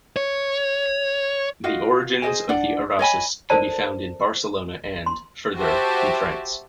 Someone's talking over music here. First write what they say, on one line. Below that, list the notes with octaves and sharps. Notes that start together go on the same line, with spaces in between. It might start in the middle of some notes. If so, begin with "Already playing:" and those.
The origins of the Arraus can be found in Barcelona and, further, in France.
C#5
F4 F#4 D#5 F5
G#4 C5 D#5 G#5
D4 D5 F#5
C#5 D#5 G#5 B5
A4 A#4 C5 D5 A5
C6
F#4 G4 C5 E5 A5